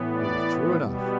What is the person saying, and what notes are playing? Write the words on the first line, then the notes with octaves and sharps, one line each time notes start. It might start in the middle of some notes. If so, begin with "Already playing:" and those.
It was true enough.
Already playing: A2 E3 B3
D5
B2 G3 B3